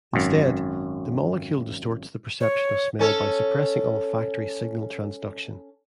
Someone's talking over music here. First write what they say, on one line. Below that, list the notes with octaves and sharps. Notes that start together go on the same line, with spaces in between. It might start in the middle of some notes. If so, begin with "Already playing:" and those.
Instead, the molecule distorts the perception of smell by suppressing olfactory signal transduction.
G#1 F#2
C#5
C#4 A4 C#5